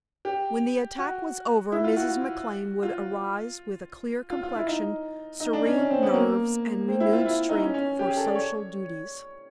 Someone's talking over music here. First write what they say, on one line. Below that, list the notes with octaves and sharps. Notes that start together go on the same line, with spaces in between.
When the attack was over Mrs. McLane would arise with a clear complexion, serene nerves, and renewed strength for social duties.
G4
F#4
E4
F4
F#4
F4
F4
F4
E4
D#4
D#4
D4
C#4
C#4
C4
B3
A#3
C4
E4
F4
E4
D#4
C#4
C#4
G4
G#4
A4
D5
C#5